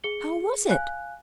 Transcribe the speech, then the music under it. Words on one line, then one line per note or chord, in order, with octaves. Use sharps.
How was it?
G#4 C#7 G7
F5 G#5 F#6